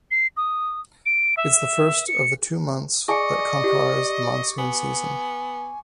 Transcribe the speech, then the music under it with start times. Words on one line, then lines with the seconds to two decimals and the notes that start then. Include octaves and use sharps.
It is the first of the two months that comprise the monsoon season.
0.11 C7
0.37 D#6
1.06 D7
1.37 E5
2.07 C#7
3.08 G#4 D5 D#5 G#5 C#6 D6 C#7
3.64 G4
4.58 B3 G#5